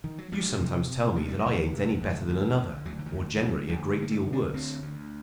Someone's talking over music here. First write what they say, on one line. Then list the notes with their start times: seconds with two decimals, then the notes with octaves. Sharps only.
You sometimes tell me that I ain't any better than another,--or generally a great deal worse.
0.04 D#3
0.18 F#3
0.32 D2 G3
0.60 C3
0.88 C3
1.16 D2 A3
1.28 G3
1.39 F#3
1.45 D2
1.50 G3
1.72 C3
2.01 D2
2.28 D3
2.57 D3
2.85 D2 F#3
2.99 D3
3.06 D#3
3.13 D2
3.37 D#3
3.42 D3
3.48 F#3
3.69 D2 G3
3.90 A3
3.98 D3 A#3
4.11 A3
4.26 D3
4.33 D4
4.54 D2 C4
4.82 D2